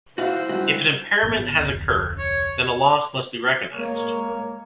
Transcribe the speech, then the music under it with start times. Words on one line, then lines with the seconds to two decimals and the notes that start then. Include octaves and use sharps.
If an impairment has occurred, then a loss must be recognized.
0.18 E3 F#4 C5 F5
0.49 C#2 G2 F#4
1.23 G#1 C3 B3
1.59 F1 D2
2.18 C#5
3.74 G#3 A#3 A#4 C#5